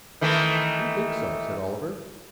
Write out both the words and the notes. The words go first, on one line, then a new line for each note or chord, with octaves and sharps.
"We think so," said Oliver.
D#3 E3 A3